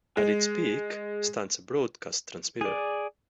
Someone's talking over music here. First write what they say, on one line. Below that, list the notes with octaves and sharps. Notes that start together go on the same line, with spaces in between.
At its peak stands a broadcast transmitter.
G#3
G#4 D5